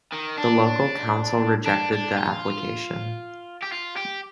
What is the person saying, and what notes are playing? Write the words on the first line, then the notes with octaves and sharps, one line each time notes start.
The local council rejected the application.
D#3
D4
D4
D4
F4
G4
F4
G4